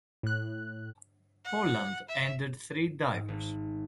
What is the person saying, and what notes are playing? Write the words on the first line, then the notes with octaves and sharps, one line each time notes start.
Poland entered three divers.
A2 F#6
F#5
E5
G#2
G#1